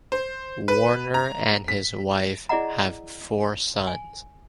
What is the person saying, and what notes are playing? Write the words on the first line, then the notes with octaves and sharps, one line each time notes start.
Warner and his wife have four sons.
C5
B4
A#5
B6
E4 G#4 D5 D#5 F#5 A#5
G#5